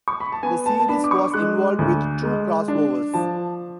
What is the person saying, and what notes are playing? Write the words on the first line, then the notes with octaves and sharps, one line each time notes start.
The series was involved with two crossovers.
C#6
B5
A5
B3 G#5
A5
A5
D4 B5
D6
C#6
G#3 F#6
D2
G#3
D4
F3 A5